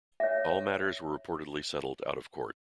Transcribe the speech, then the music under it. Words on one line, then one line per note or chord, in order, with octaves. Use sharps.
All matters were reportedly settled out of Court.
C#5 E5